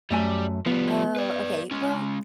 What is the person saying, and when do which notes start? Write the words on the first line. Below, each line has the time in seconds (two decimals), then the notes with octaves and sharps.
Oh, okay. Well,
0.11 F#2 G3 A3 G#5
0.66 F3 G3 B3
1.16 B4 D5
1.71 G#3 C#4